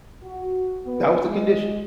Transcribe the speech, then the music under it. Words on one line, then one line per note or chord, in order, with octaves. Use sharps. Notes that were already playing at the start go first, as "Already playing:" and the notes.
That was the condition.
F#4
B3
G#3